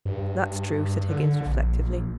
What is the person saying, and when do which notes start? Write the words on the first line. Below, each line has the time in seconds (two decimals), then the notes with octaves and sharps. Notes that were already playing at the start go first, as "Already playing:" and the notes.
'That's true,' said Higgins, reflectively.
0.05 G2
1.09 D3
1.46 A#1